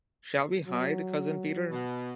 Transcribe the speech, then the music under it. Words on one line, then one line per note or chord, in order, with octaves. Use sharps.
Shall we hide, Cousin Peter?
F#3
B2